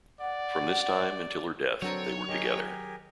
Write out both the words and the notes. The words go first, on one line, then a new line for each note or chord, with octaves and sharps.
From this time until her death, they were together.
D5 F#5
D3 F#3 C4 A4 A#4 C#5 G5
D#3 G4 G#4 A#4